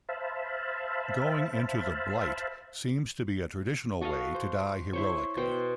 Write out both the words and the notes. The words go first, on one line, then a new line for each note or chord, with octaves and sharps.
Going into the Blight seems to be a traditional way to die heroically.
C5 E5 F5 A5 B5
F#4 A4 D#5 F5
C5
E4 C5 C#5
B2 C5 G5